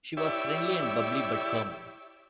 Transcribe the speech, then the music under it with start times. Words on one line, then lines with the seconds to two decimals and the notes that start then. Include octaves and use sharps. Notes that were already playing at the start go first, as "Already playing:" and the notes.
She was friendly and bubbly, but firm.
0.17 E4 G4 C#5 D5 E5